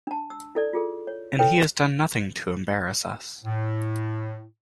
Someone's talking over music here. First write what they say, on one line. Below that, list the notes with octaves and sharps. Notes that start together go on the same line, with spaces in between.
And he has done nothing to embarrass us.
D4 A5
E6
E4 A4 D5
F4 G#4 A4
C#5
E4 A4 B4 C#5 G5
A2